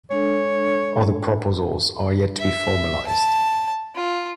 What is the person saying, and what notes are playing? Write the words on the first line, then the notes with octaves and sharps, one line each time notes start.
Other proposals are yet to be formalised.
G#3 D4 A4 C#5
E5
A5
F4